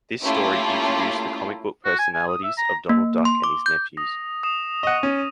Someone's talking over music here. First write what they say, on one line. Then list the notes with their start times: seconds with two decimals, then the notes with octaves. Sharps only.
This story introduced the comic book personalities of Donald Duck and his nephews.
0.22 A3 A#3 C#4 E4 F4 G4
1.85 F#4
1.99 G#5
2.14 G#5
2.28 D#6
2.43 E5
2.57 A#5
2.89 A#3
3.25 C6
3.44 D6
3.66 G6
3.97 D#6 A#6
4.43 D#6 E7
4.83 D#5 F#5 C#6 D#7
5.03 C#4